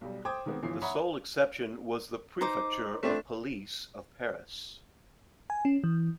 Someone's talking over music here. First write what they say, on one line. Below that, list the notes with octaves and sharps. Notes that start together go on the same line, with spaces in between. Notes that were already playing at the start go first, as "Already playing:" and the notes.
The sole exception was the Prefecture of Police of Paris.
B1 G3
C5 G5 D6 D#6 G#6
D#3 G#3 B3 C4
G1 E3 F3 C7
C#5 E5 F#5 A#5 B5 D#6
D#4 C5 D6
A3 C4 D4
G#5
C#4
E3